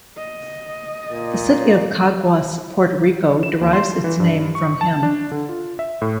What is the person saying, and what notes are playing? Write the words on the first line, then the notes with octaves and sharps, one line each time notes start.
The city of Caguas, Puerto Rico derives its name from him.
D#5
A#2
E7
D#2
C6
E3
G2
C#6
A5
D4
D3
F4
E5
A2